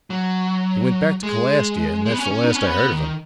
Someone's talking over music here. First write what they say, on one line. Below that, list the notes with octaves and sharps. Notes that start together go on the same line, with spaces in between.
"He went back to Calastia, and that's the last I heard of him."
F#3
G#3
G#3
B3
C#4
C#4
D#4
B3
C#4
B3
D#3